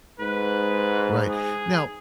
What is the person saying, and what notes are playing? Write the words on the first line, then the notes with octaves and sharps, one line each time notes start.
Right. Now
G#2 B4
G#4